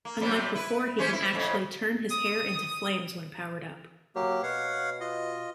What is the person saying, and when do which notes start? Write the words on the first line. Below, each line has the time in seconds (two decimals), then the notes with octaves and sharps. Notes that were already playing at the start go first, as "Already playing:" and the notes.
Unlike before, he can actually turn his hair into flames when powered up.
0.05 A#3
0.21 F#2 C3 G3
0.55 E4 B4
0.99 E3 C#4 C5
1.13 E4
1.33 F2 A2 C#3
2.11 D#6
4.16 F#3 A#3 G4
4.43 B2 C#5 F5 F#5
5.00 F4 D#5